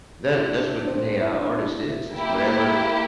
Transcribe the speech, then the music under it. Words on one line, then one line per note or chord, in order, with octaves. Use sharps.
that that's what an AI artist is. It's whatever
E4
D4
D4
C4
E4
D4
D4
E4
A#3 E4 G4